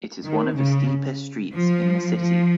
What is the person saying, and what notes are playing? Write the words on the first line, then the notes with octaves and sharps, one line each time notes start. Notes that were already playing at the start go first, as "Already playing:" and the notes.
It is one of the steepest streets in the city.
D#3
C#3
F3
F3